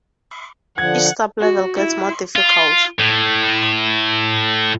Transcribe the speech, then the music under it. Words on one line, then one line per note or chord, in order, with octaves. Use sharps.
Each sublevel gets more difficult.
D3 F3 F#5 G#6
F#4
E4
F4
A2